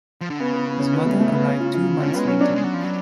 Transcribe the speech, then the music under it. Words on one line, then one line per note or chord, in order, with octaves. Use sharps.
His mother arrived two months later.
F3
D3
C#3 B3
B3
B3
C#4
B3
A3
A3
B3
C#4
F4
F4
F4
D3 C#4
G#3 B3
F#3 C#4
D4
G#3
F#3
F3
F#3